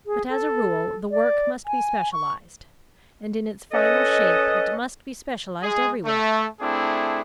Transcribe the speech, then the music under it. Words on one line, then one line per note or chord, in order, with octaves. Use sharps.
But as a rule the work must be specialized; and in its final shape it must be specialized everywhere.
G#4
A4
D5
G#5
C#6
C#4 A4 B4 D#5
G#3 G#4
A3
A3 C4 D4 E4 G#4